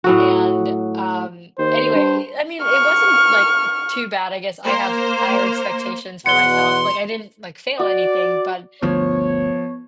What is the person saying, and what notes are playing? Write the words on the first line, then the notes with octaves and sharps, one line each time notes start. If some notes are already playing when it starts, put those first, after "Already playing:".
and, um, anyway I mean, it wasn't, like, too bad, I guess I have higher expectations for myself, like, I didn't, like, fail anything, but
A2 F#3 F#4
D#2 C5
G2
C#6 F6
A#3 C5
E2 B2 F#5 C6 C#7 G7
F#4 D5
G1 D2 F3 B3 C#5